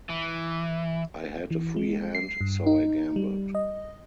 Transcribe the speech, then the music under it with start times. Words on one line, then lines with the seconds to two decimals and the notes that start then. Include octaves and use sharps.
I had a free hand, so I gambled.
0.09 E3
1.51 E3
1.76 G#3
2.15 C7
2.41 G2
2.66 D#4
3.16 G3
3.55 D#5